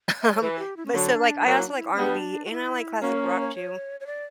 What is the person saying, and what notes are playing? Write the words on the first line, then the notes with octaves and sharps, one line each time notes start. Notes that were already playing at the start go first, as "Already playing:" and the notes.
Um, but so, like, I also like R&B, and I like classic rock too.
E5
D5
C#5
E3 B4
G4
E4
C#4
D3 F#3 D4
F#3 A#3 F#4
E4
D4
E4
C#4
G3 B3 D4
F#4
E4
A#3 C#4 F#4
A#4
C#5
C#5
C#5
C#5
D5